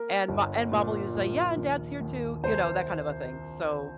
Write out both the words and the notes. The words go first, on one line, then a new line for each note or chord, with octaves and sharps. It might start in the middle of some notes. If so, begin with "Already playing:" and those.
and Mo and Mom will usually say, "Yeah, and Dad's here too," you know, that kind of a thing, so,
Already playing: A#3 A#4
G1
A#2
A#1
D#2
D#2
C2 C5